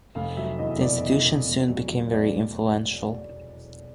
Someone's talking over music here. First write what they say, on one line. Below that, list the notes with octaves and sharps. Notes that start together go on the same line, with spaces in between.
The institution soon became very influential.
F1 F5
F#3 E5
E2 D#5
B2 D5
E2
B2
E1
F#3
F#3
D5